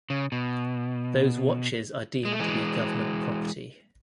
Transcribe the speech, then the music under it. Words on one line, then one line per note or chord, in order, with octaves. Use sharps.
Those watches are deemed to be government property.
C#3
B2
G#3
A3
E3 G#3